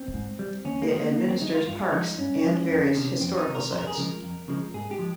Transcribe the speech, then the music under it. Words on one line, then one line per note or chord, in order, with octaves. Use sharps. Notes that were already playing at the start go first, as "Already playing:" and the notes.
It administers parks and various historical sites.
Already playing: C4
G#2
G3
D#2 C#4
A#3
D#3 G#3 C4
A#3
D#2 A#3
C4
D#3 G#3 D#4
F4
G2 F4
F3 G#3 D#4
G2 C#4
F3 G#3
F2
C3 D#3
F2 C4
D#4
C3 D#3
A#4
F2 C5
A#4
G#4
C#3 F3 G#3 A#4
F2
C#3 F3 G#3
G#2 G#4
G4
F3 G#3